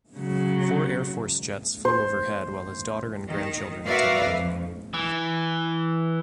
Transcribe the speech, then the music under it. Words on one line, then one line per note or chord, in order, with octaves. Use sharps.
Four Air Force jets flew overhead while his daughter and grandchildren attended.
C#3 F#3
C5
D#3
F#4 A#4 B4 D5 E5 F5
F2
E3